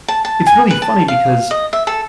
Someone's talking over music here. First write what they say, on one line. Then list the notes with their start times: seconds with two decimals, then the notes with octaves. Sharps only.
It's really funny because
0.08 A5
0.25 A5
0.47 G#5
0.71 B4
0.82 A5
1.08 F5
1.51 D#5
1.73 E5
1.87 A4